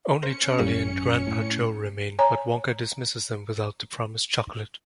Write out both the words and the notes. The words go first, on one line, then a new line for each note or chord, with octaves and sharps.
Only Charlie and Grandpa Joe remain, but Wonka dismisses them without the promised chocolate.
C#4 A#4 C5 C#7
G#1 F#2 C3 G3 A#3
A2
C#5 G#5 A#5